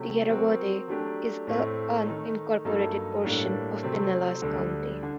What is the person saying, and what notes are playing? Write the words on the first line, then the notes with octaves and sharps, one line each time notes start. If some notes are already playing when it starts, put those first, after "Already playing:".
Tierra Verde is a unincorporated portion of Pinellas County.
Already playing: C3 F#3 A3
F#3 C4 F#4 A#4
F#3 A3 D4 G4
A2 A3 C4
D#3 A3 D#4
G2 F#3 A#3 D#4 A4
A2 G3 A#3 D4 A4
C3 F#3 A3 C4
D2 D3 G3 D4 A4
D3